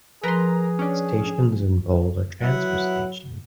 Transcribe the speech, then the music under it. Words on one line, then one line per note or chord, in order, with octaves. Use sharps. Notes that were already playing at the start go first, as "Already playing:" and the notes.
Stations in bold are transfer stations.
F3 G#4 A#4 B4 A#5 C6
C#4 D4
F#3 B3 E4 F#5